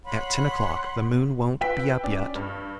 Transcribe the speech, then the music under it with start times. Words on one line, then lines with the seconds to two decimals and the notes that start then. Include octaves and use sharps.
At ten o'clock the moon won't be up yet.
0.06 C#5 F#5 B5 C6
1.61 B4 G5 E6 B6
2.03 C#4 D5
2.35 G2